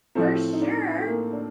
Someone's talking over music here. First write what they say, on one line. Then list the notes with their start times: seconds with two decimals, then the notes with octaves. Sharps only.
For sure!
0.15 A2 F3 A3 C4
0.53 D#4
0.62 D4
0.99 A3
1.07 A#3
1.33 D4